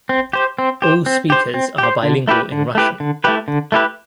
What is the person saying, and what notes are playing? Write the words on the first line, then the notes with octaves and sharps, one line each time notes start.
All speakers are bilingual in Russian.
C4
G4 C5
C4
G4 C5
C4
G4 C5
C4
G4
C5
D3
A3 E4 G4 B4
D3
A3 E4 G4 B4
D3
A3 E4 G4 B4
D3
A3 E4 G4 B4